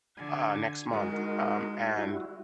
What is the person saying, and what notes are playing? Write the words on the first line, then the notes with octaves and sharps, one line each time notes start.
uh, next month, um, and
D3 G#5
G#3 D#4 F#4 A#4
G3 E4 F#4